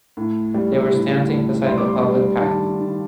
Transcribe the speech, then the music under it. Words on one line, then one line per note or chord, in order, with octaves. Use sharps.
They were standing beside the public path.
A2
G3
A2
A2
G3 C6
D6
C6
G3
D#3 A5
D#3